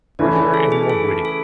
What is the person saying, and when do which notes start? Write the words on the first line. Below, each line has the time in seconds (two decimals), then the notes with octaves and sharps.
'Wittier and more witty.
0.19 C#3 E3 A3 C#4 E4 D5
0.37 G#4
0.54 A4
0.72 G#4
0.90 A4
1.25 A4